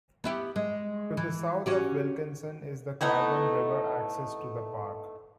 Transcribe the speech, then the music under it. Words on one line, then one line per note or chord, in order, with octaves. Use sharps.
To the south of Wilkeson is the Carbon River access to the Park.
B3 E4 G4
G#3
E3
C#4 F#4 G4
A3 B3 D#4 E4